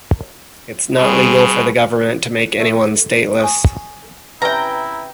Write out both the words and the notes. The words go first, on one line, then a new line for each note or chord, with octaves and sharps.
It's not legal for the government to make anyone stateless.
B2 G3 C4 G#4
A3
G#5 C#6 D#6
C3 C#4 E4 B4 E5 G5 A#5